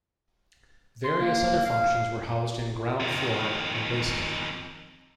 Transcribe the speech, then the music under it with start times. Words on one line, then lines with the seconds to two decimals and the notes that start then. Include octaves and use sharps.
Various other functions were housed in ground floor and basement.
1.04 C6
1.21 A#3
1.65 F5
3.00 F2 D#3